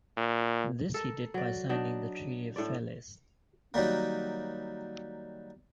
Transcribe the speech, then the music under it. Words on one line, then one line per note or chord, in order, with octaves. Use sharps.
This he did by signing the Treaty of Falaise.
A#2
A4 A#4
F#3 D5
F#3 D4 D#4
A2 D4 D5
D#3 F#3 G3 A#3